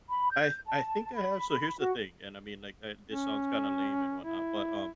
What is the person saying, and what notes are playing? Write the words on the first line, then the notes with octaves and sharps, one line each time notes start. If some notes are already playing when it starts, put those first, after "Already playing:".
I th I think I have so, here's the thing and I mean, like and, this sounds kinda lame, and whatnot, but, um,
B5
G6
A5
B5
F#4
C#4
E4